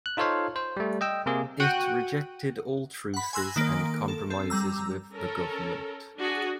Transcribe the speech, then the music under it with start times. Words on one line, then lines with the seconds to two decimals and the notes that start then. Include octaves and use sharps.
It rejected all truces and compromises with the government.
0.06 F#6
0.17 D#4 F4 A4 C5 C#5 F5
0.56 C5
0.77 G3 A3
1.01 D#5 G5 E6
1.26 C3 A#3 G#4
1.60 F#4 F#5 G5 F#6 D#7
3.14 F#5 B5
3.33 G#5 C6 E6 F#6 A#6
3.56 D#3 A#3 D7
4.08 A4
4.30 C4 A4
4.50 G3 A#5 E6
5.14 C#4 A4 A#4
6.18 D4 F#4 G#4